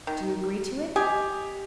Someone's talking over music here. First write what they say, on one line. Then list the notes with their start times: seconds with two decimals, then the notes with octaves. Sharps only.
"Do you agree to it?"
0.07 D#3
0.96 G4 D#5 G#5